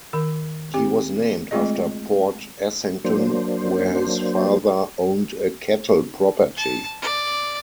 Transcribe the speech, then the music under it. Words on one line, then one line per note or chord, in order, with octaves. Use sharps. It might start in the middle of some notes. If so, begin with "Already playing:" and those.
He was named after Port Essington, where his father owned a cattle property.
D#3 A#4
C4 G4
G#3 A3 C4 F4 G#4 D#5
F#3 A#3 D4 C5
A5
D5